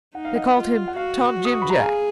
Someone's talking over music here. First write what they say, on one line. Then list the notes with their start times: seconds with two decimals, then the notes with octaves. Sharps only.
They called him Tom-Jim-Jack.
0.15 D#4 F#5
0.25 F5
0.35 D#5 F#5
0.56 F4
0.88 F#5
0.96 F#4 F5
1.45 D#6
1.54 C#6
1.62 B5
1.70 A#5
1.79 G#4 F5 G#5